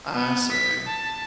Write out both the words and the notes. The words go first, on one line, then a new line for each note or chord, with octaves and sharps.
I see.
B3
B6
A5